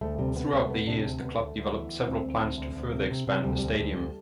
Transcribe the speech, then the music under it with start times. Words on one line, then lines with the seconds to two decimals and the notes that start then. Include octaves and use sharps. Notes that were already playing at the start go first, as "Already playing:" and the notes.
Throughout the years, the club developed several plans to further expand the stadium.
0.01 D2 A3
0.19 C3 G3
0.36 C3 B3
0.53 D2 B3
0.65 A3
0.70 D2 B3
0.87 C3 D4
1.05 D2
1.21 D2 B3
1.38 D2 A3
1.56 D2
1.61 A3
1.73 E3 B3
1.90 D2
2.07 D2 C4
2.25 D2
2.41 D2
2.58 D2
2.75 D2
2.93 C3
3.11 C3
3.27 C3
3.44 D2 G3
3.59 D2 G3
3.79 D2
3.96 D2